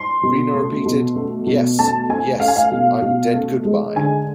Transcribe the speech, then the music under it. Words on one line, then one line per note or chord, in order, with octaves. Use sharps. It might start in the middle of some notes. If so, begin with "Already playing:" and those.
Reno repeated, Yes, yes, I'm dead-good-by!
Already playing: C6
B2
A3
B2
A3
B2
A3 A5
A3 G#5
A3 F5
G#5
F5
B2
B2
A3
G#3
D3 G#5